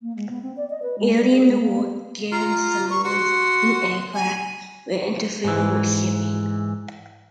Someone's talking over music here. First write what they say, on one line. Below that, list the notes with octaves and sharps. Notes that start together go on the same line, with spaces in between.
Early in the war, German submarines and aircraft were interfering with shipping.
A#3
G#3
B3
C4
D5
D#5
B4
G#3
G3
G#4
G#3
A#3
F4 A#5
C#6
F#4 C6
G#5
G#2 E3